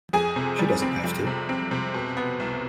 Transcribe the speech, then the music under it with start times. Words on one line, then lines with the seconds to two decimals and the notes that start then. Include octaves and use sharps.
She doesn't have to.
0.13 F2 G#4 G#5
0.36 C3
0.59 G3
0.82 C4
1.04 F2
1.27 C3
1.49 C4
1.71 C3
1.94 B2
2.17 B3
2.40 C2